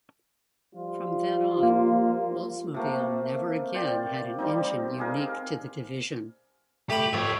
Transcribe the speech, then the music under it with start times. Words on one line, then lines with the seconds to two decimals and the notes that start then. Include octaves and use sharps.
From then on, Oldsmobile never again had an engine unique to the division.
0.75 F3 G3 F4
1.63 A#3
2.74 C3 A3 A#3
3.74 C5 D5 G5
4.39 G3 C4 D#4
4.98 G4 G#4 A#4 F5
6.90 A3 G4 B5
7.13 F2 C#5 E5